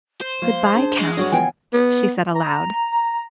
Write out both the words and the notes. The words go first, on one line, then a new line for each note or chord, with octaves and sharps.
"Good-bye, Count," she said aloud.
C5
F3 A#3 F5
D4 G#4 A5
G#3
G2 F#3 D4 F#4 C#5 F#5
C#3 E3 F3 B3 G5 G#5
B3
A#5